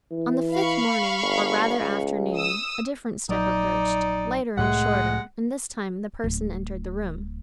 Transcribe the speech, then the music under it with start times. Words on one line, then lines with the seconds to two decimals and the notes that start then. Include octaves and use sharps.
On the fifth morning, or rather afternoon, a different step approached--lighter and shorter; and, this time, the person entered the room.
0.11 E3
0.55 F5 B5 C#6
1.22 G1
1.78 C#2
2.35 D#6 E6
3.29 A#1 F#3 D#4 D5
4.57 C2 A2 G#3 A3 F#5
6.24 D1